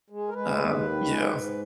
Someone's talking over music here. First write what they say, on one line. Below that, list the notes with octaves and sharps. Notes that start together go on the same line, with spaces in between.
Uh, yeah.
G#3
A#4
G#3 B4
D#2
D#3
G#3
G#2